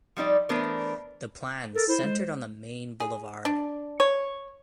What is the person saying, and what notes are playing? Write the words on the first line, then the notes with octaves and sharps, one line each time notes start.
The plan centered on the main boulevard.
F3 G3 D#4 D5
E3 A3 B3 D4 A#4 C5
A4 A#4
E4 C5
G#3
G#4
D4
C#5